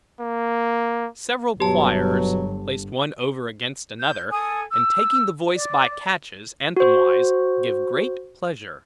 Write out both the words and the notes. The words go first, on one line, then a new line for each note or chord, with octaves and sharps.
Several quires, placed one over against another, and taking the voice by catches, anthem-wise, give great pleasure.
A#3
G1 B2 F#3 G4 A5
G6
A4 G#5 D#6
E6
D5
F#4 C5